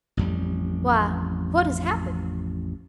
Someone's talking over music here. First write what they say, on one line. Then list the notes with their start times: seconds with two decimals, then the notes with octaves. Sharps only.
"Why, what has happened?"
0.17 A1 F2 G3